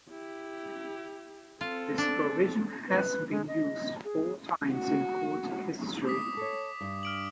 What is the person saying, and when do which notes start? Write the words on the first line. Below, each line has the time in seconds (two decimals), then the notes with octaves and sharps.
This provision has been used four times in Court history.
0.10 E4 G4
1.61 C4 F4 A4
1.98 D4
2.88 B4
3.31 G#3
3.48 D#5
4.04 G#4
4.72 F#4
6.06 D6 D#6 B6
6.37 A4 C#5 D6
6.81 G2
7.03 F6 D7 F#7